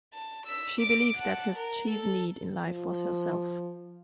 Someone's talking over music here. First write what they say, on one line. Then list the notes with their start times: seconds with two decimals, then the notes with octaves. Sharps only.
She believed that his chief need in life was herself.
0.13 A5
0.46 E6 B6
0.81 D6 D7
1.16 F#5 A5
1.56 A#4
1.90 A4
2.67 F3